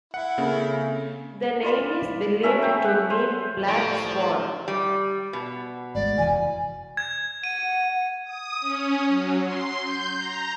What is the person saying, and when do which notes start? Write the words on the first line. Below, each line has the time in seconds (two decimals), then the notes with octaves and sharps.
The name is believed to mean black swan.
0.14 E4 F#5
0.38 C#3 A#3 C4 C#4 A4
1.63 F4 D5 B5
2.43 F#3 A3 C#4 E5
2.62 G5
2.84 F#5
3.10 C5
3.67 A2 F3 D5 C#6 D7
4.68 G3
5.33 B2
5.95 G#1 G#3 D5
6.18 F1 E3 G#5
6.97 G#6
7.44 F#5 D#7
8.25 D#6
8.61 C#4
9.07 F#3
9.44 C6
9.83 G6
10.18 A#5